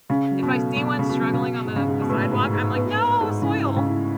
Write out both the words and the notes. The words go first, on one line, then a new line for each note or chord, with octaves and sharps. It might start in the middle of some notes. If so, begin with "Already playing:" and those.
If I see one struggling on the the sidewalk, I'm like no soil.
C#3 C#4
F#3
B2
A3
B2 F#3
C#3 F#3
B2
F#3
C#3
B2 F#3
G#2
C#3
G#2
B2
A2 B3
G#2
G#2
B3
B3
G#2
C#3 E4
G#2
C#3
E4